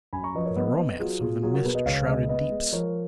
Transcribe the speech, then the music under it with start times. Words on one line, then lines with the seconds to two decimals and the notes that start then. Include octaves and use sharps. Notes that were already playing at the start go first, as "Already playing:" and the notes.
The romance of the mist-shrouded deeps.
0.13 F#2 G#5 B5
0.23 A#5 C#6
0.35 F3 B4 D#5
0.45 A#4 C#5
0.57 B3 B4 D#5
0.77 B3
0.99 F#3 F4 G#4
1.21 B2 F4 G#4
1.43 F#3 F4 G#4
1.53 F#4 A#4
1.64 B2 G#4 B4
1.75 B4 D#5
1.85 C#2 C#5 F5
2.08 G#3 B4 D#5
2.29 B3 B4 D#5
2.51 G#3
2.73 F3 A#4 C#5